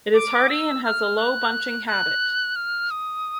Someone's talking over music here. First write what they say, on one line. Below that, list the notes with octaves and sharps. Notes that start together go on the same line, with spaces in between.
It is hardy and has a low bunching habit.
D6
E6
F6
F#6
F#6
F6
D#6